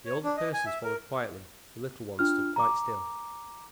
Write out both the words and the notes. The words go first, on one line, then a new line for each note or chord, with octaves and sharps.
The older persons followed quietly; the little ones stood quite still.
C#5
D4
D#5
G#5
E5
A#4
D4 F4 F6
A#5 D6